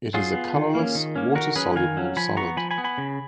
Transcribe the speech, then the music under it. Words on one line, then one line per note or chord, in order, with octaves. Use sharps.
It is a colorless, water-soluble solid.
F#3 F4 G#4
B3
D#3
A#3 C#4
D#3
A#3 C#4
D#3 F#4 A#4
F#3 C#4 G#4 B4
D#3 F5 G#5
F#3 C#4
F3 G#5 B5
B3 A#5 C#6
F3 G#5 B5
G#5 B5
B3
G#5 B5
C#3